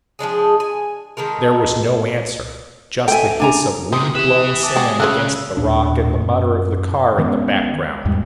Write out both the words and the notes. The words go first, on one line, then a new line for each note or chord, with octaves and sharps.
There was no answer--just the hiss of wind-blown sand against the rock and the mutter of the car in the background.
F3 G#3 D4 G#4
G#5
D#3 G#3 A4 A#4
A4 E5 G5 G#5
D4 G#5 A#5
C3 D#3 C5 D#6
E4 G4 B4 E5 D#6 E7
A5 D6 D#6
G#3 F#4 G4
C#3 A3 G#4 C5 E6 F#6
D#2 A#2 D4
F#2
D#3 G#3 B3 C#4
E2 G#2 G3 G#3